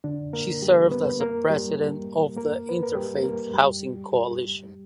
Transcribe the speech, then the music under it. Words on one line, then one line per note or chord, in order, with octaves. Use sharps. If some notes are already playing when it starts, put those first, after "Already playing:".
She served as president of the Interfaith Housing Coalition.
D3 D4
A#3 A#4
G3 G4
B3 B4
A#3 A#4
G3 G4
A#3 A#4
B4
A#4
G3 G4
A#3 A#4
G3 G4